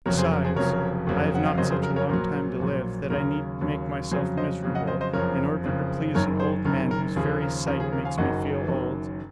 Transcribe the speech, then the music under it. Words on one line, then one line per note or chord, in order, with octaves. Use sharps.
Besides, I have not such a long time to live that I need make myself miserable in order to please an old man whose very sight makes me feel old.
F1 F2 C#3 F#3 A#4 C#5
G#4 C5
A#4
G#4 C5
F1 F2 C#3 F#3 A#4 C#5
F#1 F2 C#3 F#3
F#5
F5
F#1 F2 C#3 F#3 C5 D#5
G#4 C5
A#4
A#4 C#5
A#1 A#2 F#3 A#4
A#1 A#2 F#3
D#2 C#3 F#3 A#4
D#2 C#3 F#3
F2 C#3 F#3 G#4 C5
C5 D#5
F2 C#3 F#3
D#5 F#5
C5 D#5
C5 D#5
F#1 F2 C#3 F3 A#4 C#5
F#1 F2 C#3 F3
F#1 F#2 D#3 A#4 C#5
G#4 C5
F#1 F#2 D#3 A#4
A#4
D#2 C#3 F3 G#4
A#4
D#2 C#3 F3 A#4
G#4
A#4
F5 G#5
F#1 F#2 D#3 F#3 D#5 F#5
F#1 F#2 D#3 F#3